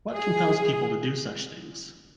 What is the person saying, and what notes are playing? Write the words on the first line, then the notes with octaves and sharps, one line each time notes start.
What compels people to do such things?
G#4